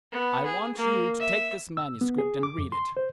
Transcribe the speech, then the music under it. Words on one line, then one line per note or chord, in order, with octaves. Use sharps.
I want you to take this manuscript and read it.
B3
G#4
A#3
E5
E6
B3
G#4
D6
F2
C6
C5